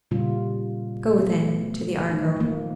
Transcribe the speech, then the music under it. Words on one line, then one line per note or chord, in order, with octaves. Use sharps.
Go, then, to the Argo.
A#2 C#3 G3 F4
F#3 A3 B3
D#3 D#4
F3 A#3